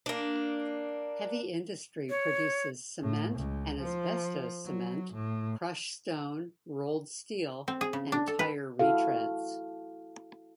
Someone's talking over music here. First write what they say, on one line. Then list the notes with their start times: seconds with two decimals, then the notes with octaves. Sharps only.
Heavy industry produces cement and asbestos cement, crushed stone, rolled steel, and tire retreads.
0.06 A#3 D4
2.09 C#5
3.02 A2
3.36 C#2
3.81 F3
4.65 F#3
5.14 A2
7.68 C4
7.81 G#4
7.93 C#3
8.12 D4
8.27 A4
8.39 B4
8.79 E4 F#4 A4 F5